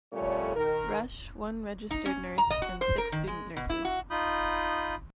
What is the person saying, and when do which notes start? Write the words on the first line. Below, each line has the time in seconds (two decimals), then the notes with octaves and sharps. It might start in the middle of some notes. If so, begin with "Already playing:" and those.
Rush, one registered nurse and six student nurses.
0.13 F2 A#2 G3 A3 C#4 C#5
0.55 D#3 A#4
1.91 D#4
2.06 C#4
2.38 A#5
2.50 D#5
2.62 F#4
2.81 C5
2.98 A#4
3.12 D#3
3.27 G#3
3.56 B2
3.69 E4
3.85 F#4
4.11 D#4 F4 B5 D#6 G6